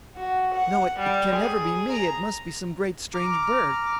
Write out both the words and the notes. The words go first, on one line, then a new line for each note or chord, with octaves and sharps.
No, it can never be me; it must be some great strange bird.
F#4
F#5
G3
G#4
A#5
A#5 D6 F6